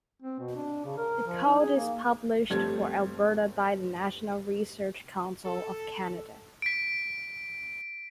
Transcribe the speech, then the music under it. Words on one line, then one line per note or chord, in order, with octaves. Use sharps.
The Code is published for Alberta by the National Research Council of Canada.
C4
B2
D4
C#3
A#4
F3
D#4
G#4
A#3
G1 F3 G3 A3 C4 G#6
A4
B6 D7